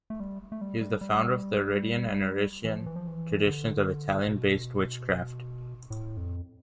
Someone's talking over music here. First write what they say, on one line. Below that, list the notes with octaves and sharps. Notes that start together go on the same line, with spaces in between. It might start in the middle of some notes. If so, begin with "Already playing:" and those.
He is the founder of the Aridian and Arician traditions of Italian-based witchcraft.
A3
G3
A3
G3
G3
G3
E3
F3
E3
F3
E3
D3
B2
A2
F2